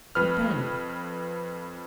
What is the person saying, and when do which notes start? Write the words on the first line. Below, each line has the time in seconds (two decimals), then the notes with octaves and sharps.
"What then?"
0.15 F2 B4 F6